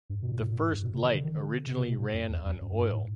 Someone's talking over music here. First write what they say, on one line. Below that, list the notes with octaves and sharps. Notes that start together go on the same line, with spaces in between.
The first light originally ran on oil.
G2
B2
A#2
A2
A#2
A2
G2
B2
C3
D3
D3
D#3
D3
C3
C3
B2
A2
F#2
E2
F2
F#2
G2
G#2
A2